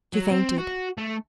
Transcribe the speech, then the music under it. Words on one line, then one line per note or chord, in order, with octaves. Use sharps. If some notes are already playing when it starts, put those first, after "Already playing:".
She fainted.
F#3
C4
F#4
A3